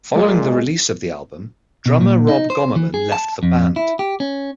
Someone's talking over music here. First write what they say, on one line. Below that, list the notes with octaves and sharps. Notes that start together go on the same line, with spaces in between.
Following the release of the album, drummer Rob Gommerman left the band.
A#2 G#3
B2
A#2
D#4
C5
E3
G#4
A5
F2
E4
G4
C#4